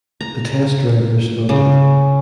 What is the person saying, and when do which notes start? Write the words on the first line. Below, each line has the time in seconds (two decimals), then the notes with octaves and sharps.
The test drivers loved it.
0.21 A#5
1.49 C#3